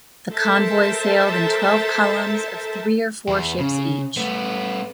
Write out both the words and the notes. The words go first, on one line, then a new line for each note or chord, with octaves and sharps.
The convoy sailed in twelve columns of three or four ships each.
A4 A#4 C5 E5 A5
E2 E4
C#3
A3 B3